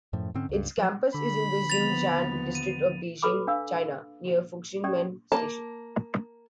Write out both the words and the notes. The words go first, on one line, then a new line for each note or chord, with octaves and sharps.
Its campus is in the Xicheng District of Beijing, China, near Fuxingmen Station.
F#2 A2 F3
G#2 D3 C4 C#4
C#2 G2
F3 F#3
D3 B5
D#2 F3 B3 A6 F7
D#7
A4 B4 B5 D6
D4 F5 E6
C#4 G4 D5 D#6
A#3 A5